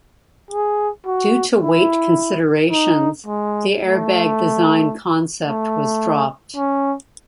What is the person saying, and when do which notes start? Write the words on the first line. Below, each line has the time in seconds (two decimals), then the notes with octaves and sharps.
Due to weight considerations, the airbag design concept was dropped.
0.50 G#4
1.06 F#4
1.61 E4
2.71 D#4
3.27 G#3
3.81 A3
5.47 A3
6.56 C#4